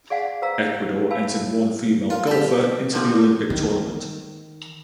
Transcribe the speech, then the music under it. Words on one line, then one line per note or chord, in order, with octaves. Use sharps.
Ecuador entered one female golfer into the Olympic tournament.
G#4 D5 F5 F#5 G#5
B4 C5 F5 A#5 E6
F5 G#5 A5 B5 E6
F4
G4 A4
D3 F3 G3
D#3